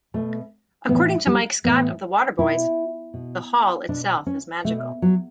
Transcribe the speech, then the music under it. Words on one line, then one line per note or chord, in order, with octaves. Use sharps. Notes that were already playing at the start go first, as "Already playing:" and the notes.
According to Mike Scott of the Waterboys: The Hall itself is magical.
B2 A3
A2 E3 B3
G3
A2 E3 B3
B2 E4
B2
B2 D4
C#4
B2 A3
F#3